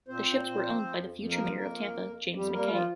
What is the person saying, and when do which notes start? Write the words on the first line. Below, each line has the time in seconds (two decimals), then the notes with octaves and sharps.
The ships were owned by the future mayor of Tampa, James McKay.
0.08 A#2 C4 C5
0.25 A#2
0.43 A#2
0.61 F3
0.78 F3
0.95 F2
1.13 F2
1.30 F3 A#3 A#4
1.48 F2
1.56 A#3 A#4
1.65 F3
1.82 F2
2.00 F2
2.18 F2
2.35 F2 G3 G4
2.53 G3 A#3 A#4
2.70 F3 F4